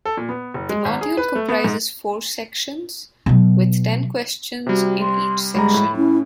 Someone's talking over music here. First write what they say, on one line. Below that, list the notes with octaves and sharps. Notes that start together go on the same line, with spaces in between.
The module comprises four sections, with ten questions in each section.
A4
A#2
B3
F#1
G#3
G#1
G#4
B4
A3
B3
G#2
B2 F#3
C3 G3 F#4
C6
G1 G3 G#3 A#5 B5
A2
C#4 E4